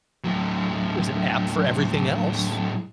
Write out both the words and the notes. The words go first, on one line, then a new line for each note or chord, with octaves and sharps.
Th there's an app for everything else.
A2 F#3